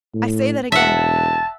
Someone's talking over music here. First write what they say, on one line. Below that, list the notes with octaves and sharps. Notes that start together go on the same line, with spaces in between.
I say that again.
A2
E1 E5 F#5 A5